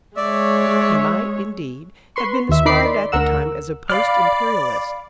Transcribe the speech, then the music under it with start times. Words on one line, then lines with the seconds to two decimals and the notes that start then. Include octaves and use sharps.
He might, indeed, have been described at the time as a Post-Imperialist.
0.17 G#3 C#5 D5 E5
2.16 B4 C6 C#6
2.49 D#2 E5
2.65 D#4 A#4 B5 D6 C7
2.86 D5 C6
3.12 D2 A#4 F#5 E6
3.90 D5 F5 B5 F6